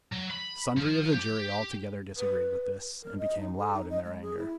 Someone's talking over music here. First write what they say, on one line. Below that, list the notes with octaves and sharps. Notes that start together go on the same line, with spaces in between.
Sundry of the jury altogether disagreed with this, and became loud in their anger.
F#3
B5
F3
G4
B4
A#4
D#5
D#4
A4
D#4
D#5
G#3
G#4
E4